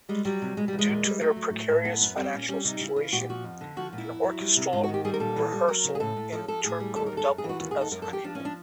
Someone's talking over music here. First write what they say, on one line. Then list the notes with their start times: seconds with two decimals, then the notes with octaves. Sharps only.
Due to their precarious financial situation, an orchestral rehearsal in Turku doubled as honeymoon.
0.09 G3 G#3
0.25 F#3 G3
0.42 C3
0.57 B2 G#3
0.68 E2 G3
0.79 G#3
0.89 A#2
1.05 G3
1.21 F#3 A3
1.36 F#3
1.53 A2
1.69 A2
1.85 F#2 B3
2.01 F#2
2.17 G3 C4
2.33 A#2 C#4
2.49 G3 C#4
2.65 C3 D#4
2.81 C#3 E4
2.96 E3 F4
3.12 A#2 F#4
3.21 G4
3.29 F3 F#4
3.44 F2
3.61 D3
3.76 F3 F#4
3.93 A#2
3.98 E4
4.09 F2
4.24 F#3
4.40 G3
4.56 C3
4.72 G#2 F4
4.83 F#4
4.88 D#3
4.94 G4
5.05 G3 G#4
5.14 A#4
5.20 A#2 A4
5.36 E3
5.52 G3
5.68 F#3 A#4
5.84 C#3
5.95 G#4
6.00 A2 A4
6.16 A2
6.32 F3 A4
6.48 F3 A4
6.64 A2 G#4
6.80 G3
6.96 D#2 A4
7.06 A#4
7.12 D#2
7.17 A4
7.28 F#2
7.38 G#4
7.44 E3
7.49 F#4
7.60 D#2 F#4
7.71 G#4
7.76 D#2
7.81 A4
7.92 F#2 A#4
8.02 A4
8.08 F3 G4
8.24 F3 D4
8.35 C#4
8.40 F3
8.45 D4